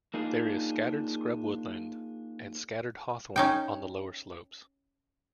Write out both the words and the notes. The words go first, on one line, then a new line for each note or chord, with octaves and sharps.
There is scattered scrub woodland and scattered hawthorn on the lower slopes.
A#3 D4 D#4 F4 G#4
C#4 D#4 G5